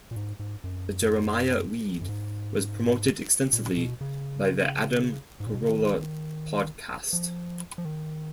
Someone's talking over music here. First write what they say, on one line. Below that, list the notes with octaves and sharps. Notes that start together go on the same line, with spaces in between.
Jeremiah Weed was promoted extensively by The Adam Carolla Podcast.
A#2
G#2
G#2
F#2
F#2
G#2
A#2
B2
C#3
G#2
A#2
B2
C#3
D#3
F3
F3
D#3